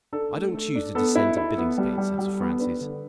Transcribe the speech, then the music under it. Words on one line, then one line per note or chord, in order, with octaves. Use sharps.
"I don't choose to descend to Billingsgate," said Sir Francis.
D4 A4
A3
A3
D4
B3 A4
E4
E4
B3
G3
G3
G3
B3
D4 B4
D3